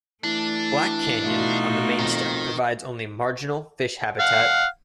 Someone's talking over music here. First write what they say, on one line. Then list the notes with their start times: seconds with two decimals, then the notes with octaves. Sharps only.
Black Canyon, on the mainstem, provides only marginal fish habitat.
0.24 E3 A3 D4
1.22 B2 A3 D#4 F4 F#4
2.00 F2 D#3
4.20 F5 F#5